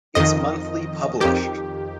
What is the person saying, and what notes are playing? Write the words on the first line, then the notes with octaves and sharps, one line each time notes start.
It's monthly published.
F2 D#3 D#5
F2 D#3 G4